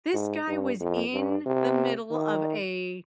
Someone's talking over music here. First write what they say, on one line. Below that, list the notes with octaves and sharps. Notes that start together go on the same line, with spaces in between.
This guy was in the middle of a
G#2
G2
F2
G2
C3
D#3